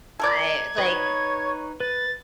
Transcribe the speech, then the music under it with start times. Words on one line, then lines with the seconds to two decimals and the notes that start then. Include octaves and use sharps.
I, like
0.20 A4 A#4 D5 G#6
0.78 D#4 B4 C#5 D#6
1.80 B4 A6